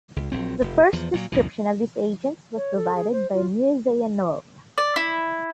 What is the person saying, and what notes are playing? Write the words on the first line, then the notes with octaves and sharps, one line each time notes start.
The first description of these agents was provided by Mirzayanov.
C#2
A#1 F#3 C4
F1
E2 F3
A#2 F#3
C#2 F#2 B2 E3
C#5
A4
G#4
C5
F4
D5
E4